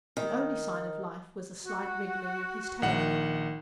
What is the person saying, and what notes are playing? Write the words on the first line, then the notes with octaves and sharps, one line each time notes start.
The only sign of life was a slight wriggling of his tail.
D#3
F#4
A#1 D#3 F#5